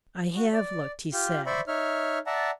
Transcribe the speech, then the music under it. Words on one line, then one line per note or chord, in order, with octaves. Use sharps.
"I have looked," he said.
F#4
D5
F4 G4
C5 D5 E5 B5 C#6
D#4 C#5 E5 F6
D5 E5 F#5 A5 A#5